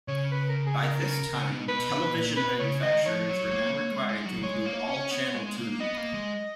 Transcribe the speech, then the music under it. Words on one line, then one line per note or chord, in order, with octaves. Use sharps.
By this time, television manufacturers were now required to include all-channel tuning.
C#3 C#5
B4
A#4
G#4
A#4
C#3
C#3
B2
B2 B4
B2
A#2
B2 B4
C#3 C#5
D#3 D#5
F3 C#5
F#3
A#3
A#3
G#3
G#3
F#3
G#3 C#5
A#3
C#4
B3
G#3
A#3
B3 D#5
A#3
G#3